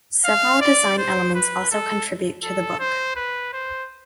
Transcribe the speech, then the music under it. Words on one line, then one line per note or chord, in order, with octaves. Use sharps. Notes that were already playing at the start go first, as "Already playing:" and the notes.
Several design elements also contribute to the book.
F5
D5
C5
B4
A4
A4
C5
B4
C5